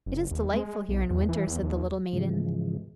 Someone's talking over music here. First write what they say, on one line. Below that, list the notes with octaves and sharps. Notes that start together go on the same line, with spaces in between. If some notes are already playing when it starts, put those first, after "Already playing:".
"It is delightful here in winter!" said the little maiden.
F#1
D#2
G#3
B1
E2
E3
E2
D#2
G#2 C#3 E3 F3 G#3